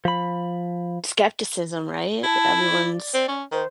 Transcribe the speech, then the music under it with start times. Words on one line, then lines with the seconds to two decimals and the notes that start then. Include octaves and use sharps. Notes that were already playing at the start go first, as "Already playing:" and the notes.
skepticism, right, everyone's
0.05 F3 B5
2.24 E4 A5
2.63 D5
3.14 C4
3.28 C#4
3.52 D#3 C5